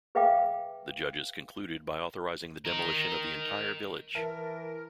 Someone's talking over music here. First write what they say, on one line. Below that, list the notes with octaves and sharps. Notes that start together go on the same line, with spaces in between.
The judges concluded by authorizing the demolition of the entire village.
G#4 B4 E5 F5 G5 D6
A#4 D#5
E3 A#4 E5 A5